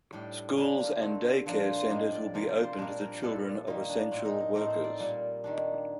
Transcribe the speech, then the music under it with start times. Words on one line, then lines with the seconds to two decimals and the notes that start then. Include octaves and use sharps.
Schools and daycare centers will be open to the children of essential workers.
0.13 A2 G3 D4 G5
0.57 D3 G3 A#3 D4
1.01 D3 A3 C4
1.46 A#2 F3 A#3 D4
1.60 C5
1.75 C5
1.89 A2 G3 A#3 D4 D#5
2.13 D5
2.34 C3 F3 A#3 D5
2.49 D5
2.64 C5
2.77 A#2 G3 A#3 D4 A#4
3.00 A#4
3.21 A#2 G3 D4 A4
3.67 D#3 G3 A#3 D#4
3.89 D4
4.11 A2 A3 C4 D4
4.25 D#4
4.40 D#4
4.55 A2 A3 C4 D#4
4.70 C5
4.84 D5
4.99 A#2 G3 A#3
5.44 D#3 G3 D4